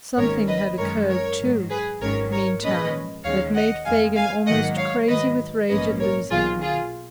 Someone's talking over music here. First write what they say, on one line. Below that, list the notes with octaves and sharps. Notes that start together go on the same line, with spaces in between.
Something had occurred, too, meantime, that made Fagin almost crazy with rage at losing him.
G#1 G#2 D#3 A#3 C#4 A#4 C#5
B4 D#5
F#2 D#3 G#3 C#4 A#4 C#5
A#4 C#5
G#2 D#3 F#3
G#4 B4
G#1 G#2 D#3 F#3 C#4 A#4 C#5
A#4 C#5
A#2 F3 G#3 C#4 B4 D#5
D#2 D#3 G#3 C#4 C#5 F5
D#5 F#5
F2 D#3 G#3 F5 G#5
F5 G#5
G#1 G#2 D#3 F#3 A#3 D#5 F#5
C#5 F5
G#2 D#3 F#3 B4 D#5
A#1 G#2 F3 A#3 C#4 B4 D#5
A#4 C#5
B1 B2 F#3 A#3 F4 G#4
F4 G#4